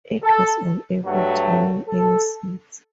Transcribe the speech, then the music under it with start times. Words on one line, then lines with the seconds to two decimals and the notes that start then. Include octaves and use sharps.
It was unable to win any seats.
0.23 A4
1.05 G2 F#3 A3 F#4
1.87 A4